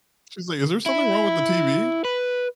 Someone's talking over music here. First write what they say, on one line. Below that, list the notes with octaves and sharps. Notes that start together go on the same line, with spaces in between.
She's like, "Is there something wrong with the TV?"
E4
B4